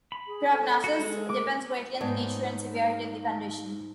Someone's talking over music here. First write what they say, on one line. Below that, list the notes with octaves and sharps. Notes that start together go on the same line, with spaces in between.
Prognosis depends greatly on the nature and severity of the condition.
B5
G#4
A4
F#4 A4
G#3
A#4 D6
G#2 B3 D#4 C#5 D5 A5